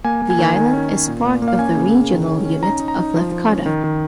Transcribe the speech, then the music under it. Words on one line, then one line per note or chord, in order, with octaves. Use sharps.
The island is part of the regional unit of Lefkada.
A#3 G#5
A#3
G#5
D#3
D#3 G#5
C#4
C#4
A#2
A#2
A#3
F5
C#4 G#5
C#3
C#3
D#3
C#4
C#4
D#4 A#5
D#4
A#5
D#4
F3
F3
C#4
D#3
D#3